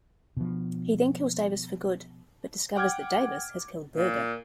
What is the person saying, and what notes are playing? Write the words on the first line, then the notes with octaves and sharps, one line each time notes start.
He then kills Davis for good, but discovers that Davis has killed Burger.
B2 F3
F#5 G5 D6 F6 G6 G#6
A#2